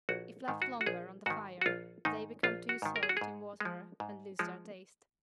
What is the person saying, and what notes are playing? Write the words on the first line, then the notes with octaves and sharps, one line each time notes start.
If left longer on the fire they become too soaked in water and lose their taste.
A#1 F#4
G#2 D#3
F#4
F#4
A#1 G#4
G#2 D#3 F#4
F#4
A#1 F4
G#2 D#3 D#4
A#1 F4
F#4
G#2 D#3
A#4
G#4
F#4
G#2 G#4
F3 G#3
G#2
F3 G#3